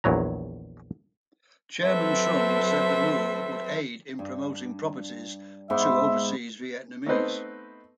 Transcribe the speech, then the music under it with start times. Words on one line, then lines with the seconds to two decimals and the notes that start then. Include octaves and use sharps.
Chairman Trung said the move would aid in promoting properties to overseas Vietnamese.
0.04 A#1 E2 F#3 A#5
1.83 F#3 C4 A4 B4 C5 E5
4.19 G2
5.70 G#2 B3 E5 C6
7.06 A3 B3 C4 D#4 B4 C5